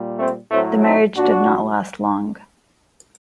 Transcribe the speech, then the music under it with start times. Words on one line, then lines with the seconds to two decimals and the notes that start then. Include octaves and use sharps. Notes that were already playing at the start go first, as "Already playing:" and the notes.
The marriage did not last long.
Already playing: A#2 G3
0.18 A3 C4
0.50 A2 F#3 A3 C4
0.83 C4 D#4
1.15 A#2 F#3 D4 F#4